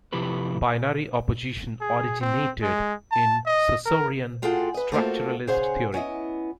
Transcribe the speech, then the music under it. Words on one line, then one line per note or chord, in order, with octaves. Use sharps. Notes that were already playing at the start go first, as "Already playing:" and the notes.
Binary opposition originated in Saussurean structuralist theory.
C3 F3 E4 G4 B4
G#4
C4
G#3
A5
D#5
A#4
A2 F4 F#4 G#4 A4 G5
B4 D#5
A3 A#3 C4 F4 F#4 A4
C#3 G#4 C5 C#5 F#5 G#5
B3 C#4 E4 D#5